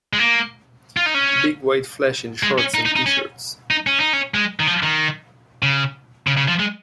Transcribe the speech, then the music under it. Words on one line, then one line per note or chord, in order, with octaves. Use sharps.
Big white flesh in shorts and T-shirts.
G#3
A#3
F4
D#4
C#4
G#3
C#4
D#4
D#4
D#4
C#4
D#4
C#4
D#4
C#4
G#3
D#3
F3
D#3
C#3
C#3
C#3
F3
G#3